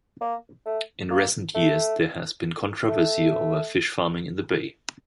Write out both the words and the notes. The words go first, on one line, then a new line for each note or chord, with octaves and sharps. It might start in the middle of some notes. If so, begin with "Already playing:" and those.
In recent years there has been controversy over fish-farming in the bay.
A#3
A3
A#3
A3
A3